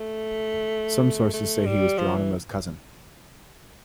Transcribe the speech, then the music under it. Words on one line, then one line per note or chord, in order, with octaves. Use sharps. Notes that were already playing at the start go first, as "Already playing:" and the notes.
Some sources say he was Geronimo's cousin.
Already playing: A3
A3
G3
F3
E3